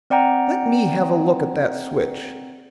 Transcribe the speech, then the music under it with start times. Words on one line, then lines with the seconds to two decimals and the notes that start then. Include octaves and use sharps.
"Let me have a look at that switch."
0.10 C4 D5 F#5 G5 A#5